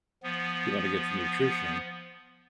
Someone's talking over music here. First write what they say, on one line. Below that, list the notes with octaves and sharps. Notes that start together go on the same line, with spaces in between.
you wanna get the nutrition;
F3 B3